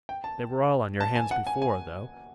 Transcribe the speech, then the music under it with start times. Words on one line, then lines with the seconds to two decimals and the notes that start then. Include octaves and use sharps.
They were all on your hands before, though....
0.09 G5
0.24 A5
1.00 A5
1.15 G#5
1.31 F#5
1.47 G#5
1.62 G#5